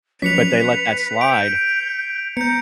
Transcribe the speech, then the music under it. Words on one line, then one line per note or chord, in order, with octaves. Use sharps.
But they let that slide
F3 F#3 C#4 B4 B6 C#7 F7
G6 D7
B3 A#5 G6 C#7